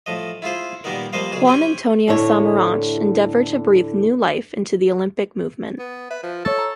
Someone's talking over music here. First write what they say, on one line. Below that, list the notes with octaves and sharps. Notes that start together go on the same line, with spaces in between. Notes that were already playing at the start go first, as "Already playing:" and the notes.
Juan Antonio Samaranch endeavoured to breathe new life into the Olympic Movement.
A2 F3 D#5
E4 F4 G#4 C5
A#2 D#3 G3 B3 D#4 A#4
F3 G3 A#3 C5 D#5 F5
B1 C#3 G#4
C4 C#4 G4 G5 G#5
D2 A2 D3 A3 E4 C#5
B3
B4 E5
F3
A4 C#5 C#6 A6
A#5